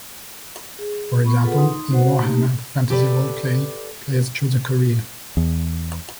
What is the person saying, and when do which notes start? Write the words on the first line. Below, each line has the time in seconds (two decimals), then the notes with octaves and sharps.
For example, in "Warhammer Fantasy Roleplay", players choose a career.
0.79 G#4
1.24 B3 B5 C#6
1.42 F4 G#4 A4 B4 F#5
1.58 D#4 C6 D#6
1.91 F#4 C5 F#5
2.21 A3 A#3 D#4 G4
2.90 G4 A4 B4 D5
5.37 E2